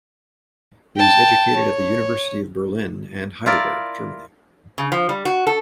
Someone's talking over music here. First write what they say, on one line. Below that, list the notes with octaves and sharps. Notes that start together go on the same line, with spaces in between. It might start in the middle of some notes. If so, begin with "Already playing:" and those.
He was educated at the University of Berlin and Heidelberg, Germany.
G5 A5
C#5
E4 F4 A#4 D5
C#3
F3
G3
F#4
A4